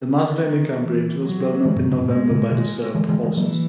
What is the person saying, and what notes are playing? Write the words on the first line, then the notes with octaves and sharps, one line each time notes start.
The Maslenica bridge was blown up in November by the Serb forces.
D#3
E3
F#3
E3 G#3
F#2 A#2
A#2 C#3
F#2 A#2
G#2 B2 G#3
A#2 C#3
B2 D#3 G#3
E3 G#3
E3 G#3
E3 G#3
E3 F#3 A#3